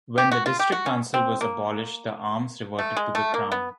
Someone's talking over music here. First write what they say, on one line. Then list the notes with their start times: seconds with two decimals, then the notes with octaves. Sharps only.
When the district council was abolished the arms reverted to the Crown.
0.18 G4
0.32 F#4
0.46 F4
0.59 G4
0.72 F#4
0.86 C#4
1.14 C4
1.41 A#3
2.79 A3
2.97 G#3
3.15 A3
3.34 A#3
3.52 B3